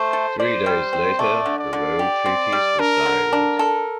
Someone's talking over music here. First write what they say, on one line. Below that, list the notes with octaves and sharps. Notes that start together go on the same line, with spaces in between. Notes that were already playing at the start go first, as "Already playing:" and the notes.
Three days later the Rome treaties were signed.
Already playing: A3 C5
A4
C5 D5
G3
C4
A3 D5
D3
D5
D3
G4
C4
G3
D4 A#4
D3
D4
A4